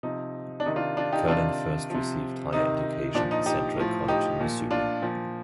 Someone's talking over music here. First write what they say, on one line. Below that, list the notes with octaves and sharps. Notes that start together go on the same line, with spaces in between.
Kerlin first received higher education at Central College in Missouri.
C3 F3 D#4
D4
C3 D#3 D#4
D4 F4
D4 F4
D#4 G4
C3 D#3 D4 F4
C3 F3
C3 D#3 D#4
A#2 F3 D4
D#4
D#4 G4
A2 F3
D#4 G4
A#2 F3
D4 F4
A#2 F3